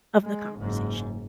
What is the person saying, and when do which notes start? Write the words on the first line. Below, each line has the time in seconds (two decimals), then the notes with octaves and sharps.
of the conversation.
0.23 G#3
0.58 F#1 G#2